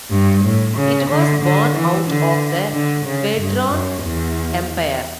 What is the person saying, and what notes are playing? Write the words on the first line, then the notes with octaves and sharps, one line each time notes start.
It was born out of the Vedran Empire.
G2
A2
C#3
D3
D3
E3
D3
D3
C#3
G2
F#2
E2